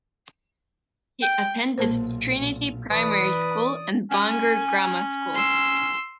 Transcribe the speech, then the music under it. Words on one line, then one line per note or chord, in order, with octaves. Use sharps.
He attended Trinity Primary School and Bangor Grammar School.
G5
B1 A#2 A#3 A#4 C5
E3 B4 D5 D#6
C#4 G#5
C6 E6